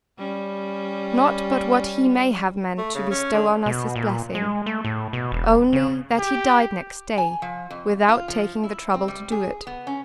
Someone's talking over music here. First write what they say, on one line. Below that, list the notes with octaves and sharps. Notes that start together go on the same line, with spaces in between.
Not but what he may have meant to bestow on us his blessing; only that he died next day, without taking the trouble to do it.
G3 C#4
A3
C#3
C#4
D3
B2
A#2
G#3
A3
A2
B2
E1
C#3
G4
G#5
F3
F2
F4
F3
E4
C4
G3
G#4
B3
C#4